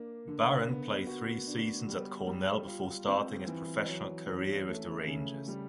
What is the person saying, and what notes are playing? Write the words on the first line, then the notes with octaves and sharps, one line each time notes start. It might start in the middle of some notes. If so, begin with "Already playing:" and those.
Barron played three seasons at Cornell before starting his professional career with the Rangers.
Already playing: A#3 D4
D3
B3
F#4
D4
G3
G3
F4
C4
E3
F#3
C#4
A3
C#3
G3